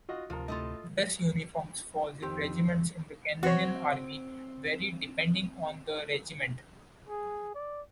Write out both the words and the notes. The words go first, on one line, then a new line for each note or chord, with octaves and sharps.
Dress uniforms for regiments in the Canadian Army vary depending on the regiment.
F4 F#4 D#5
D2 C3 F3 F4 A#4
A2 F4 A4 D#5
F2 D#3 C4 G4
C4 F#4 C#5
G#4
D5